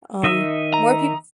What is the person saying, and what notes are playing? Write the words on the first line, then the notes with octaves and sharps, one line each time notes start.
um, more peop
D#3 D#5 E5
A#5